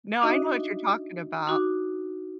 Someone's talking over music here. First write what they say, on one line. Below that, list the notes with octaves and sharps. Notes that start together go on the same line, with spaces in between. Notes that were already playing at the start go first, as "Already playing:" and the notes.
No, I know what you're talking about.
D4 D#4 F#4 D#5 E5
D#4 F#4 D6